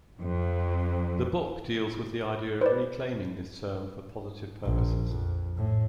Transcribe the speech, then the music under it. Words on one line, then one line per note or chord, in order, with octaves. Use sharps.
The book deals with the idea of reclaiming this term for positive purposes.
F2
B4 C5 D5
A#1
F2
A2